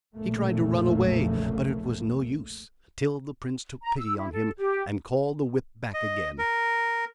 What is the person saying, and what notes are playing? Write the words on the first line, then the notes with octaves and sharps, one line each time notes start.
He tried to run away; but it was no use; till the prince took pity on him, and called the whip back again.
F1 B1 A#2 C#3 A3 A#3
A#5
E6
E4
A4
G4
D#5
A#4